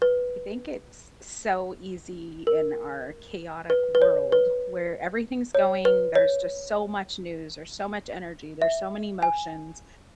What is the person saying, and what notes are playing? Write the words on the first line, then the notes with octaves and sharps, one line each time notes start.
I think it's so easy in our chaotic world where everything's going, there's just so much news or so much energy, there's so many emotions
B4
A#4
B4
B4
C#5
B4
C#5
B4
C#5
E5
G#5